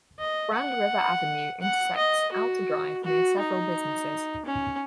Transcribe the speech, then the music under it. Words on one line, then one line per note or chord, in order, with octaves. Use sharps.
Grand River Avenue intersects Outer Drive near several businesses.
D#5
F#5
F#5
D#5
F#4
F#4
D#4
C#4